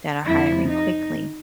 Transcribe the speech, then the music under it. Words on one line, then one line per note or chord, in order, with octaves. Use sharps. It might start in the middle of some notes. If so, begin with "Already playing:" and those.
that are hiring quickly.
F2 C3 F3 E4
D#4